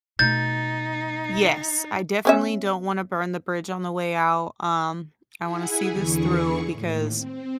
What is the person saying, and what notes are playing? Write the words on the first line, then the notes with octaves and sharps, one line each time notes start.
Yes, I definitely don't wanna burn the bridge on the way out, um, I wanna see this through, because
B2 A3 D#4 G6 A6
B3 C#4 E5
E4 G#4 E5 F#5 G#5
E2 D3 E3 E4 G#4 C#6
D#2 A2
C4